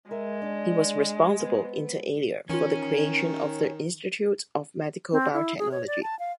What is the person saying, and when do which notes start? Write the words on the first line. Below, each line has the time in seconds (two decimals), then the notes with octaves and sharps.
He was responsible inter alia for the creation of the Institute of Medical Biotechnology.
0.11 G#3 A#4 E5
0.42 D4 D5
1.40 B3 C4
2.50 D#3 E3 C#4 F4
5.12 C4
5.34 E4
5.58 G#4
5.71 C#5
5.87 D5
6.03 A5
6.19 F5